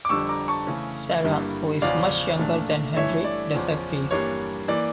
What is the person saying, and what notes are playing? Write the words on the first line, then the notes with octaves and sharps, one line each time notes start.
Sarah, who is much younger than Henry, disagrees.
D6
F2 D3 G3 D4 C#6 E6
A#5 D6
A5 C#6
C#3 E3 A3 C#4
G2 D3 G3 A#3 E4
E2 C#3 F3 C#4 D5 F5
A#2 A3 D4
G2 E3 A3 E4 C#5 E5
D5
E2 C#3 F3 C#4
G2 E3 G3 A#3 D4 C#5
E3 A#3 D5